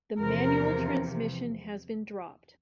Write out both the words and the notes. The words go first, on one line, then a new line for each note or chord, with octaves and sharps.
The manual transmission has been dropped.
E2 C3 F3 A#4